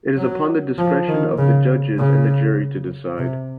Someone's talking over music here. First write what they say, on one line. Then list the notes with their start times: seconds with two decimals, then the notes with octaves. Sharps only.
It is upon the discretion of the judges and the jury to decide.
0.18 F#3
0.78 F3
1.08 D#3
1.38 C#3
1.98 C#3
3.19 C3